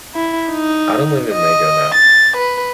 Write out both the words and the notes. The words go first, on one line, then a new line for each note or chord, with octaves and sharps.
I don’t live in Maigo now.
E4
D#4
D#5
A6
B4